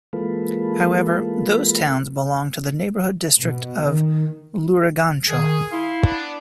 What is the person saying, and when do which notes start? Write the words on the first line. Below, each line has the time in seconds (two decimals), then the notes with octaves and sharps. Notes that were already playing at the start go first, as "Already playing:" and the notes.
However those towns belong to the neighboring district of Lurigancho.
0.13 E3 G#3 A#3 F4 A4 B4
3.42 B2
3.88 D#3
5.28 D#3 G#4
5.72 E4 F5 C6
6.02 B3 D4